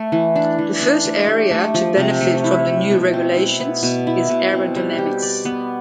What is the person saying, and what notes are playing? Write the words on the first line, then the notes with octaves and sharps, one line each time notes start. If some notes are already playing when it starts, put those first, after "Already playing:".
The first area to benefit from the new regulations is aerodynamics.
Already playing: A3
E3
D4
E3
D4
A3
G4
A3
F3
C3
A3
E4
A3
B2
C4
E4
B3
B2
E4
B2
C4
G3
G4
D5
B3